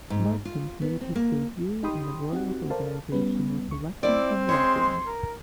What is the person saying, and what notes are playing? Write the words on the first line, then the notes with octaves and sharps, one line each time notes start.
Marklund made his debut in the Royals organization with the Lexington Legends.
G#2
F4
B3
C4
A#3
D#4 G4 G5 B5 C6 D#6
C4 D#4 F#4 G4 F#5
A4 A#4 C5 D5 F5 A5
G3 B3 C#4 B4
C#2 C#6
C4 E4 D5
G#3 C#5 C6
A#4